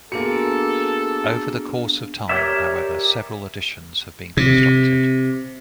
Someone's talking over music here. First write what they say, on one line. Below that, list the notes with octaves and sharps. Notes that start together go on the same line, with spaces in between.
Over the course of time, however, several additions have been constructed.
A#3 B3 D4 F#4 G#4 A4 C#7
G4 A#4 C#5 D5 E5
C3